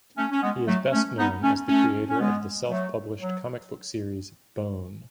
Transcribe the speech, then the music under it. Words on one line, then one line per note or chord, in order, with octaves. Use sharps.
He is best known as the creator of the self-published comic book series "Bone".
A3 C#4
C#4
G#3 B3
F#3 A3
A3 C#4
B3 D#4
A3 C#4
A3 C#4
C#4
G#3 B3
F#3 A3
F#3